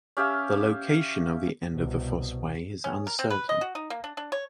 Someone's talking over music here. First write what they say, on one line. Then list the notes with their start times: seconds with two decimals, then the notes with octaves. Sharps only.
The location of the end of the Fosse Way is uncertai.
0.17 C#4 G4 E5 F5
1.72 C2 B2
2.84 C#4
3.07 A#4
3.19 C4
3.30 B4
3.49 D#5
3.61 F#4
3.75 D#4
3.90 A#3
4.04 D4
4.17 D4
4.32 C#5